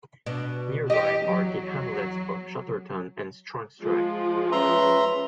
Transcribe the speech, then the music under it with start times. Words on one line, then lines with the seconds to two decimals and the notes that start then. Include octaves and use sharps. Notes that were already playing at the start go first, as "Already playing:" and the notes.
Nearby are the hamlets of Chatterton and Strongstry.
0.26 B2 D4
0.90 E2 G4 D#5
1.25 F#3
3.81 F3 G#3 F4
4.52 C#4 B4 E5 A#5 C6